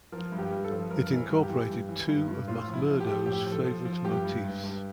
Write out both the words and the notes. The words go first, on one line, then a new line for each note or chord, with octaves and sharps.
It incorporated two of Mackmurdo's favourite motifs.
F3 A#4
G2
G4
G2
A4
F3
G2 A#4
E3
A#4
G2
G4
E3
G2
E3
G2
G2
A2 F4
F3
E4
F3
G4
F3
A2 G4
F3
A4
F3
F3
G2 G4
G2
G2
G2